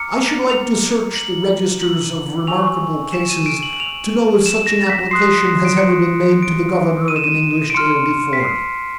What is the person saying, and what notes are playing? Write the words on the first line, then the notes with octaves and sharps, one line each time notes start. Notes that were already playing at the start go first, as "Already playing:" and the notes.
I should like to search the registers of remarkable cases, to know if such an application has ever been made to the governor of an English jail before.
Already playing: A#5 D6 F6 C#7
F7
F#7
F#7
G#5 C#6 E6 F7
E7
D#7
D7
F#7
F#7
F7
E7
A#6
B6
C6 D#6 F#6 C7
D7
C#7
D7
D#7
E7
D#7
D7
C6 F6 C#7
B6
C7